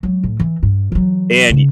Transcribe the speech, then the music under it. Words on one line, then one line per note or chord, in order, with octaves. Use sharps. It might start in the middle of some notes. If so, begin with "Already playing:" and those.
And y
F#3 G#3
A2
E3
G2
E3 F#3
C#3 C#4